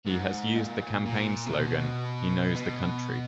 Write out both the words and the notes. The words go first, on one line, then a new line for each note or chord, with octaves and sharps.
He has used the campaign slogan, He knows the country.
G#2
A#2
A#2
C3
B2
B2